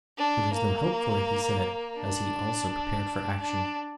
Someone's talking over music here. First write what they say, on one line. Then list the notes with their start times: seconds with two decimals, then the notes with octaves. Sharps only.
"There is no help for it," he said, as he also prepared for action.
0.18 D4
0.53 A#3
1.97 D4
3.40 D4